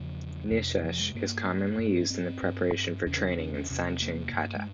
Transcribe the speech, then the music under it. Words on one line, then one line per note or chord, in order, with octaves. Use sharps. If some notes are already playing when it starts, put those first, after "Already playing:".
Niseishi is commonly used in preparation for training in Sanchin kata.
Already playing: E2 C#3 F3
F2 C3
F3
G#3
G2 A#3
G2
C#4
C4
G2
E2 C#3 C#4
C#4
C4
C#4
C#4
E2 C3 C#4
C4
A#3
G2
G#3